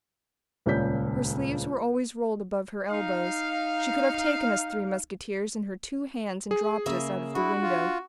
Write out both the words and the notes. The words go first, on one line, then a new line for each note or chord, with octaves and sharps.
Her sleeves were always rolled above her elbows. She could have taken us three musketeers in her two hands and dropped us out of the window.
D#1 C#2 C#3 D5 G6 B6
D#4 F5
G#4
C#3 A#3 E5
D4 E4 F#4
F4